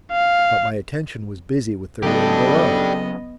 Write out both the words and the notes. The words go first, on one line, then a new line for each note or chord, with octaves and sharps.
But my attention was busy with the room below.
F5
C#3 F#3 B3 D4 G4 A4 D#5